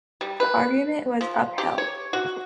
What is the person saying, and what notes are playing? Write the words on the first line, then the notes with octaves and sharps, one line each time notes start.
The argument was upheld.
G3
B4
F3
G4
C#5
F#4